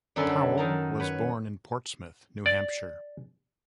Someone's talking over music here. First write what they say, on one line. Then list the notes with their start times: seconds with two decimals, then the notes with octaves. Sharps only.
Powell was born in Portsmouth, New Hampshire.
0.16 F#2 D3 E4 A4 C#5 C6
0.57 D#3 A5 A#5
1.00 B4 C#5
2.46 D5